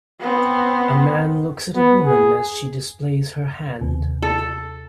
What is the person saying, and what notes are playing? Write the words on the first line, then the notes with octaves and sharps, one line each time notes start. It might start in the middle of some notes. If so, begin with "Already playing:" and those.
A man looks at a woman as she displays her hand.
B3 C4
B3
G#4
D#2 C3
A4